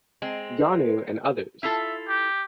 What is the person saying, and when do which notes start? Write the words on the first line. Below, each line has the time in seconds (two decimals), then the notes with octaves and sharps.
Janu and others.
0.22 G#3 C4
1.63 E4 F4 A4 E5
2.08 G4